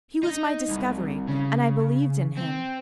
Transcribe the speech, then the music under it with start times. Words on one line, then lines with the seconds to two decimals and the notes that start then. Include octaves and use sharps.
He was my discovery and I believed in him.
0.23 D#4
0.69 C2
1.28 C#3
2.37 C4